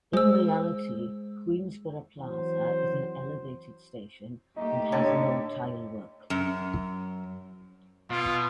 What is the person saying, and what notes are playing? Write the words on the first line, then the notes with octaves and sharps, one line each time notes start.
In reality, Queensboro Plaza is an elevated station and has no tilework.
G#3 C5 E6
E3 F#3 C4 C5
A3 A#3 D#4 G4
A2 D3 C#5
F#2
B2 F4